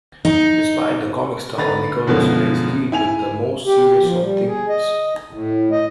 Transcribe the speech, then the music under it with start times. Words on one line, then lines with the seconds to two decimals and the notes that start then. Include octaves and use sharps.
Despite the comic style, Nichols' plays deal with the most serious of themes.
0.25 D#4
1.58 D3 B4 A#5 A6
2.06 F#2 B2 D3 F3 G#3
2.92 E4 G#5 F7
3.66 G4
4.02 F3
4.19 G3
4.47 G#4
4.69 D#5
5.31 A2
5.72 D#5